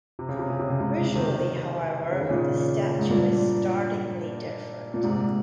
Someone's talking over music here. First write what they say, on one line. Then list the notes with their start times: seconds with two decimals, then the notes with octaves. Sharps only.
Visually, however, this statue is startlingly different.
0.19 C3
0.29 C#3
0.39 C3
0.50 C#3
0.59 C3
0.70 C#3
0.80 G#2 C3
1.15 C3 D#3
2.12 C#3
2.21 D#3
2.30 A#2 C#3
2.99 G#2
3.10 G2 A#2
4.94 A#2
5.03 G#2 C3